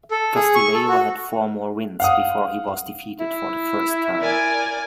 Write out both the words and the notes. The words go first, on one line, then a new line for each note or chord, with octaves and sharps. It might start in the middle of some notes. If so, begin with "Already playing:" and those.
Castillejo had four more wins, before he was defeated for the first time.
A4
G#4
C#6
A4
F#4
F5 F#5 D#6
E4
A#4 D5 G#5